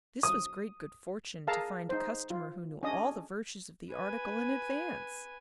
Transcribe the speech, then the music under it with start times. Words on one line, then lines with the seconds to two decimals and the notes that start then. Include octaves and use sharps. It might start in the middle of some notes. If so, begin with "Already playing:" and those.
This was great good fortune, to find a customer who knew all the virtues of the article in advance.
0.23 D#6
1.47 G#4 A#4 F5 A5 A#5
1.89 D#4 C5
2.30 F4
2.83 C#4 D4 D#5 D#6
3.90 B4 G#5